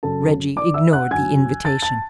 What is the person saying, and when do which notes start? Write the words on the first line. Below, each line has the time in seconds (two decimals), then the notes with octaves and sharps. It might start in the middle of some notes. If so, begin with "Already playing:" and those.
Reggie ignored the invitation.
0.03 F#2 C#3 F#3 A4 A5
0.57 D5 D6
0.74 E5 E6
0.93 F#5 F#6
1.11 F#2 D3 F#3 G#5 G#6
1.65 A5 A6
1.82 A5 A6